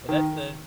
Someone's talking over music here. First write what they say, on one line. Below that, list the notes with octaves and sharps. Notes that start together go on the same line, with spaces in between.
and that's the
D#3